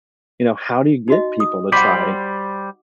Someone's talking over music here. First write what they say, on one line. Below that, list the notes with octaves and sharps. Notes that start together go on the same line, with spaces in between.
you know, how do you get people to try,
D#4 F#4 D#5
D#6
G3 C5 F#5 G5 B5 D6